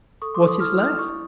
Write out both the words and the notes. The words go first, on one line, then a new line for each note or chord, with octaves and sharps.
What is left?
A4 C#6 D#6
C6 D6
A4
C#6 D#6
E4 D#6 F6
E4 D#6 F6
E4 C#6 D#6